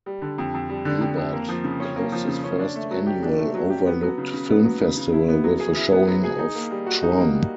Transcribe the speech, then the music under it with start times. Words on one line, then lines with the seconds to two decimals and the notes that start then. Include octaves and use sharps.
Ebert closed his first annual Overlooked Film Festival with a showing of "Tron".
0.06 G3
0.22 D3
0.38 F2
0.54 F2
0.70 G3
0.85 D3
1.01 F2
1.17 F2
1.33 A#3
1.49 F3
1.64 C#3
1.80 C#4
1.96 A#3
2.12 F3
2.28 C#3
2.44 C#4
2.59 D4
2.75 A3
2.91 F#3
3.06 G4
3.23 D4
3.39 A3
3.54 F#3
3.70 G4
3.86 B3
4.02 F#3
4.18 C#3
4.34 C#3
4.49 B3
4.65 F#3
4.81 C#3
4.97 C#3
5.13 E4
5.28 B3
5.44 F#3
5.60 G#4
5.76 E4
5.92 B3
6.08 F#3
6.24 G#4
6.38 D#4
6.55 A#3
6.71 G3
6.86 F#4
7.02 D#4
7.18 A#3
7.34 G3